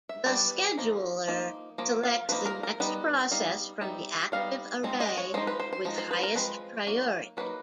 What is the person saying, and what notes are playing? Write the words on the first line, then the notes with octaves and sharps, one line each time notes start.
The scheduler selects the next process from the active array with highest priority.
E5
E3 G3 B3 D4 D5
F3 A#3 D#4
F3 A#3 D#4
F3 A#3
F5
F3 A#3 D#4 B4
A#4
A#4
G3 B3 D#4 B4
G3 B3 D#4 F5
G3 B3 D#4 E5
G3 B3 D#4 F5
F3 G#3 C4 D#4
D#5
C#5
F3 G#3 D#4 C5
B4
C5
C5
F3 G#3 D#4
C5
B4
A#4
F3 G#3 C4 B4
F#3 A#3 D#4
F#3 A#3 D#4 B4